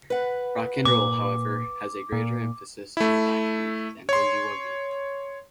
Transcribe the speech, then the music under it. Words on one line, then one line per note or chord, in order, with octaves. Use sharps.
Rock and roll however has a greater emphasis on the backbeat than boogie woogie.
B4 F#5
A#2 D6
A#2
A3 E4
C#5 C6